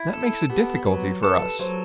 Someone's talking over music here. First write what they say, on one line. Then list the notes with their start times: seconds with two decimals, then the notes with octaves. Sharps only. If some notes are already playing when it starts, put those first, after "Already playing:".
That makes a difficulty for us.
Already playing: E4
0.13 A4
0.50 B3 G4
0.86 F#3 B4
1.23 A4 B4
1.41 B4
1.59 F#3 C5